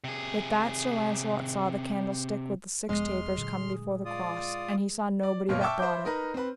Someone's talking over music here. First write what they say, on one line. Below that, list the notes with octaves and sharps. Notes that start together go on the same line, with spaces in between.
With that Sir Launcelot saw the candlestick with the six tapers come before the cross, and he saw nobody that brought it.
C3 G#4
E1 F3 G#3 B3 C6 F6
A#2 D3 F#3
F4 D5 D#6
D5
G1 B2 A#3 C#5 F6
E5 G5 A5 C#6 D6 E6
C5 E5 B5 D6 G6
D#4 A#4 B4
C4 B4